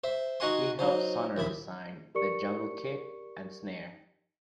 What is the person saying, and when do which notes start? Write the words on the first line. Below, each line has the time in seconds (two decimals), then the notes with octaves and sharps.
He helped Sonor design the Jungle kit and snare.
0.04 C5 E5
0.40 D#4 F#4 D#5 F#5 G#5 C6
0.79 F#3 D#4 C5
1.37 A#1 D#2 E4 B5
2.15 G4 A#4 D5 C#6 C#7